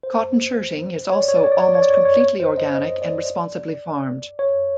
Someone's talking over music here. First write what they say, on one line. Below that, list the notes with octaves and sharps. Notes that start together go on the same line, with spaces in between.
Cotton shirting is also almost completely organic and responsibly farmed.
C5
C#5
D5
C#5
D5
C#5
D5
C#5
D5
C#5
D5
C#5
D5
C#5
D5
C#5
C5
D#5
D#5
D5
C#5